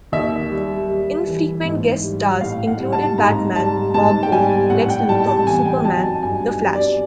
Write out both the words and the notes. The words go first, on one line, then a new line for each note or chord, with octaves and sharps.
Infrequent guest stars included Batman, Bob Hope, Lex Luthor, Superman, the Flash.
D#2 E5
G3
G3
E3
G#2
G3
A2 F5
F#5
G3
A5
G#2 A#5
G3 A5
G#2 A5
G5
G3 G#5
A2 F#5
G5
G3 A5
A5
E2 G#5
G5
F#3 A5
A5
G2 G#5
G#5
G3
D5